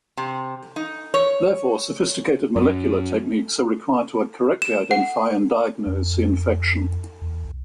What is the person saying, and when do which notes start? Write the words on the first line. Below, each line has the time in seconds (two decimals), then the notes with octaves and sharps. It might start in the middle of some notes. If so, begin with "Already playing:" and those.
Therefore, sophisticated molecular techniques are required to correctly identify and diagnose the infection.
0.17 C3
0.76 D#4
1.14 C#5
2.56 F#2
4.62 E7
4.91 F#5
5.86 F2
6.34 F2
7.22 E2
7.45 B1